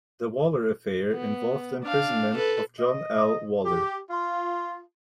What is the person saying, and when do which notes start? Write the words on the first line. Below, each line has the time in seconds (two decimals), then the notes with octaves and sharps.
The Waller Affair involved the imprisonment of John L. Waller.
1.12 B3
1.83 D4 F5
2.34 A4 B4
2.80 D#5
3.65 G4
4.10 F4